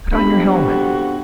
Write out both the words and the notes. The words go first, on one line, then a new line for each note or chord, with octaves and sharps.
"Put on your helmet!"
F2 B3 C#4 D4 G4 B5
F#4